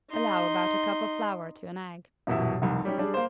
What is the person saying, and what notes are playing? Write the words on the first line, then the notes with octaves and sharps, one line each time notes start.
Allow about a cup of flour to an egg.
D#4 C6
D#1 F#2 B2 E3 E5
F1 C2 F2 D#3
G3 C#4 D#4 G4
G3 D4 G#4
A#3 C5